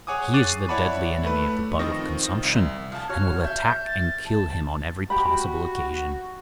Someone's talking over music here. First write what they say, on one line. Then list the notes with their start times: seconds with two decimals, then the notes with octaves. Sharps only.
He is the deadly enemy of the bug of consumption, and will attack and kill him on every possible occasion.
0.07 G#4 C#5 F#5 G#5 D6 D#6
0.33 C#6 D6 F#6 A6 C7 D#7
0.69 E4 C#5 D5 F#5 A5 B5
1.24 A3 B4
1.79 D#3 F3 C4 D#5 C#6 A#6
2.43 C2
2.92 F3 A5
3.09 F#4 C#5 F6
3.44 E5 G6
3.85 A6
4.26 A5
5.10 F#4 G4 B5